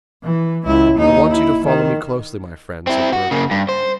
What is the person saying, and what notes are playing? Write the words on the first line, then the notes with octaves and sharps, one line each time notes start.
"I want you to follow me closely, my friend," said Burger.
E3
C#2 E4
D#2 D#4
E4
D#3
C4 E4
F#4
C#3 A#3
G2
C5